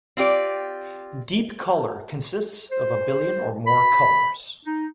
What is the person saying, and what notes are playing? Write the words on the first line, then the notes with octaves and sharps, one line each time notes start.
"Deep color" consists of a billion or more colors.
C4 F4 G4 D5
C5
B5
D#4